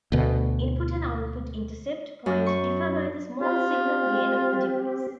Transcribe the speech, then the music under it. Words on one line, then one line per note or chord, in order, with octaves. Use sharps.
Input and output intercept point differ by the small-signal gain of the device.
D2 B2
F#2
C#6
C4 F4 G4